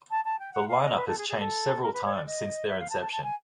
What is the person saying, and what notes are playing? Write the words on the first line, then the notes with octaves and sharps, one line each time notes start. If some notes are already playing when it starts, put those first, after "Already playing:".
The lineup has changed several times since their inception.
A5
A5
G5
F#5
F5
D#5
B4
A4
G#4
G#4
A4
A#4
B4
C#5
D5
D#5
E5
F5
A5
A5
A5
G#5